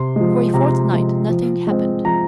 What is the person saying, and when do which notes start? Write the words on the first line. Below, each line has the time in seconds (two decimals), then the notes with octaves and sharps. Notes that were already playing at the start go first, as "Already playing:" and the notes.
For a fortnight nothing happened.
Already playing: C3 C6
0.16 F3 G#3
0.54 C3 A#5
0.91 F3 G#3
1.29 F3
1.67 G#3 C4
2.05 F3 A#5